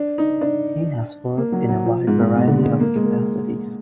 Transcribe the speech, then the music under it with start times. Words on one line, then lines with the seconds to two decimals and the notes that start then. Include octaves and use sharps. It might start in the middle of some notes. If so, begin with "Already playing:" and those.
He has worked in a wide variety of capacities.
Already playing: D4
0.18 D#4
0.41 D4
1.37 A#3
1.52 F#3
1.69 F#3
1.85 F3
2.07 G#2
2.21 A#2
2.35 B2
2.48 D3
2.63 G#3
2.80 A#3
2.95 G#3
3.03 A#3